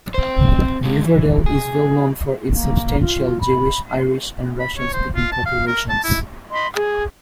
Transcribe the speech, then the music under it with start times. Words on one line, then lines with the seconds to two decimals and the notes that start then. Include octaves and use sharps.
Riverdale is well known for its substantial Jewish, Irish and Russian-speaking populations.
0.14 C4 C5
0.84 C#3 G#3
1.03 E3
1.46 G#4
2.51 A#3
3.00 F4
3.41 B5
4.60 B5
4.77 C#5
4.93 C5
5.15 F4
5.32 A5
5.46 F5
5.67 A#4
5.90 A5
6.04 E4
6.51 D#5 B5 C6
6.76 G#4